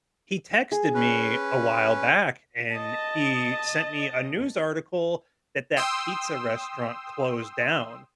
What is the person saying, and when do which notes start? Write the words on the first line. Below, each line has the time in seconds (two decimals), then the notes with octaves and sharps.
he texted me a while back, and he sent me a news article that that pizza restaurant closed down,
0.72 G#4
0.94 C#4 B4
2.74 D#5 A5
5.76 G5 C6 D#6 E6